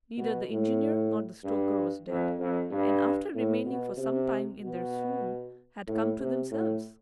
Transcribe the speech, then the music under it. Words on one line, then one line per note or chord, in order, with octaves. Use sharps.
Neither the engineer nor the stoker was dead, and, after remaining for some time in their swoon, had come to themselves.
B2
A2
G2
F2
F2
G2
A2
B2
C3
B2
A2
C3
A2